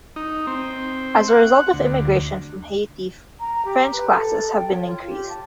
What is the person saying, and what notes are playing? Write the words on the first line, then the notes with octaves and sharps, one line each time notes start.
As a result of immigration from Haiti, French classes have been increased.
D#4
C4
F#5
D2
A#5
G4
B4
A4
G5
C#5
F4
G4
A5